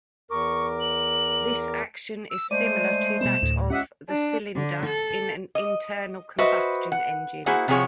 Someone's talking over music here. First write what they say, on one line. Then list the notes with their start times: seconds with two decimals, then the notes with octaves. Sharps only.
This action is similar to that of the cylinder in an internal combustion engine.
0.31 E2 A#4 C#6 D6
0.81 F#7
2.30 E6
2.51 G#3 A3 C5 D5 D#7
3.21 B2 G3 B3 E7
3.42 D2 A2
3.70 C#2 C#4 G4 D#5 E5 F#5
4.08 D4
4.56 D3
4.86 A4
5.55 D#5
6.38 F#4 B4 C5 D#5 E5
6.92 F#5
7.46 A#3 E4 F#4 G#4 C5 F#5
7.68 C3 F3 F#4 G#4 C#5